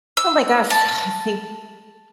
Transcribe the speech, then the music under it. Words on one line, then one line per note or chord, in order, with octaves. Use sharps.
Oh my gosh, I think
E6
A5